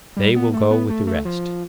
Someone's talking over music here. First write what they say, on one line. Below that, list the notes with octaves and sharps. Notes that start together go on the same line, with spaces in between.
They will go with the rest.
G3
B3
A3
B3
A3
A3
F3